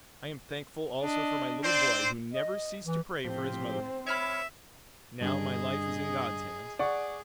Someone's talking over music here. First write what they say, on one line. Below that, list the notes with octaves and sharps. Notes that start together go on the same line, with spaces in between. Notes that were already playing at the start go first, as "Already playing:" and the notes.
I am thankful also for my little boy who never ceased to pray for his mother. Now, my life is in God's hands.
D4 D#5
C4 C5 D5
D#5
E3
A2 F3 C4 G4 C5
C#5 E5 B5 D6 F6 G#6
G2 D3 G#4 D#5
G#4 D5 F#5 C#6